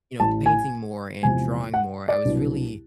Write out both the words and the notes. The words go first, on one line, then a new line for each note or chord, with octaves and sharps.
you know, painting more, and drawing more, I was really
A1 A2 E3 A5
G#5
E2 C3 F3 G#3 G#5
F#5
D5
C2 B2 F#3 B3 D4